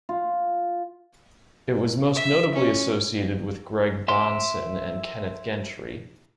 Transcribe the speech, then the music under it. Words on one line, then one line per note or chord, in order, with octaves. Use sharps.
It was most notably associated with Greg Bahnsen and Kenneth Gentry.
F4
E5
C#4
E5 C6